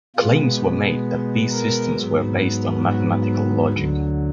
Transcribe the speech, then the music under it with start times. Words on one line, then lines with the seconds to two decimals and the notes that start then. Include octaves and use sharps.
Claims were made that these systems were based on mathematical logic.
0.16 B2 G#3 B3 F4
1.51 A#4
1.94 G#2 F#3 B3
2.84 F#4
3.73 D2 D3 F#3